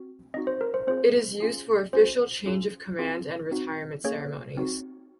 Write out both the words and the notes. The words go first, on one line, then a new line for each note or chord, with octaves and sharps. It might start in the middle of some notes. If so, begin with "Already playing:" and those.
It is used for official change-of-command and retirement ceremonies.
Already playing: C4 F#4
C4 D#4 F#4 D#5
C5
A#4
C5
C4 F4 G#4 C5
C#4 F4 G#4
C#4 F#4 C5
C#4 F4 G#4
C4 F4 G#4
C4 D#4 F#4
A#3 C#4 G#4 C#5
C4 D#4 F#4